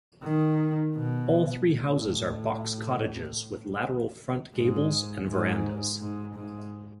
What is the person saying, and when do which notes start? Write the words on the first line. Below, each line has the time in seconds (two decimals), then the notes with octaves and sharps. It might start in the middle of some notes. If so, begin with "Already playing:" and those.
All three houses are box cottages, with lateral front gables and verandahs.
0.24 D#3
0.96 B2
1.68 A2
4.56 G#2
5.27 G#2
6.00 G#2
6.36 G#2